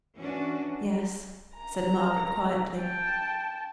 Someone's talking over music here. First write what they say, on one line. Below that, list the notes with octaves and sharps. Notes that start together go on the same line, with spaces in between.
'Yes!' said Margaret, quietly.
E3 C#4 D4 F#4
A#5
G5 A5